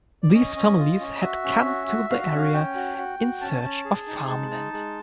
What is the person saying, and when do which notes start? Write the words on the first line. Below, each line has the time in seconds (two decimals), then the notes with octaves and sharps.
These families had come to the area in search of farmland.
0.23 D5
0.34 C#4 D#5
0.56 C#4
0.78 F4
1.00 C#4
1.21 F#4 E5
1.44 C#4
1.65 F#4
1.87 F#4
2.10 F#4 F5
2.24 E5
2.32 C#4
2.37 F5
2.53 C#4 G5
2.75 F#4
2.98 F#4
3.19 F#4
3.41 C#4 A5
3.64 C#4
3.85 G#4
4.07 D#4
4.29 G#3 A5
4.51 D#4
4.73 G#3